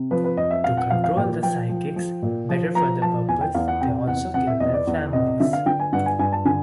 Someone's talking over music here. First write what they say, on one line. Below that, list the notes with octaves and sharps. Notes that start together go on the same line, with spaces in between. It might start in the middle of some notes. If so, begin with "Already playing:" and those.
To control the psychics better for that purpose, they also kill their families.
Already playing: C3
F3 B4
B4
F2 D#5
E5
F2 F5
F#5
F3 F5
F5
A#2 G5
F3 G5
F3
F3
A#2
F3
F3 A#5
F3 A5
E2 G#5
G5
E2 F5
F#5
C3 G5
E2 F#5
C3 F#5
E5
E2 D#5
D5
E2
C3 D#5
D3 E5
F5
D3 G5
G#5
G2 F#5
G#5
G2 G#5
A5
D3 G#5